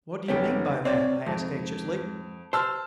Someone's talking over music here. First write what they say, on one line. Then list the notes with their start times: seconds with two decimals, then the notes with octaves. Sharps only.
"What do you mean by that?" I asked, anxiously.
0.28 F1 G3 B3 C#4 G4
0.85 C4 C#5 D5
1.26 F2 G#2
2.53 C5 A5 E6 F6